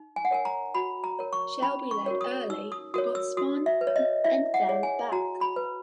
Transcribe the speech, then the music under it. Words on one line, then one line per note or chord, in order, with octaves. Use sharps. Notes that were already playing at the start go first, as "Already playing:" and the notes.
Shelby led early but spun and fell back.
Already playing: D#4
G#5
F#5
A#4 C#5 G#5
A#5
F#4 B5
A#5
A#4 C#5
C#6
C#4 B5
C#6
F#4 A#4 C#5
D#6
D#4 E6
D#6
F#4 A#4 C#5 D#6
E6
F#4 D#6
E5
B4
C#5
D#5
E4 E5
F#5
G#4 C#5
G#5
F#4 A#5
B5
B4